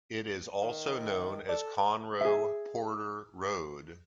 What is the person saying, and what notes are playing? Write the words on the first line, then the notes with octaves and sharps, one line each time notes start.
It is also known as Conroe Porter Road.
D#3
A4 D5
G#4 E5